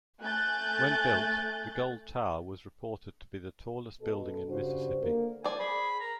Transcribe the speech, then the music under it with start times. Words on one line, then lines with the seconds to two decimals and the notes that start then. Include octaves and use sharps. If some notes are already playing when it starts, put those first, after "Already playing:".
When built, the gold tower was reported to be the tallest building in Mississippi.
0.21 A3 G#5 F#6 G6 A6
4.00 B2 A4
4.49 G2 C#3 F#4 C5
5.02 D3 A#3 A#4
5.44 C5 D5 G#5
5.59 G#4 B5
6.00 A#4 A#5